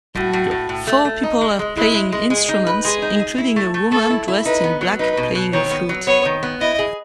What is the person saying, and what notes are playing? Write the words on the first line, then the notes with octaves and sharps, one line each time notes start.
Four people are playing instruments, including a woman dressed in black playing a flute.
A2 F#4
A2
A2
A2
A3
A3
D#4
G#3
G#3
G#3 E4
G#3
G#3
G#3 G#4
D#4
B4
G#3 G#4
D#4
G#4
E4
A3
A3
A3 A4
E4
E4
D#4 B4
B3
F#3
D#4 B4
B2
B2
D#3 C#5
B3
F#3
B3 C#5
D#3
B3
E4 D#5
G#4